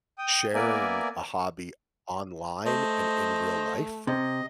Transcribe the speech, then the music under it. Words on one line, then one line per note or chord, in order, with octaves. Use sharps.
sharing a hobby online and in real life?
G5 D#6
A#3 B3 A#4 D5 E5 G#5
A3 C5 D#5
C3 D#5